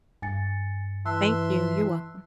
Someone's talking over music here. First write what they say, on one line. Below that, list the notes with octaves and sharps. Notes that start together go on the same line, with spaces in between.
Thank you. You're welcome.
G2 G#5 A6 C#7
E3 E5 A5 C6 E6 F#6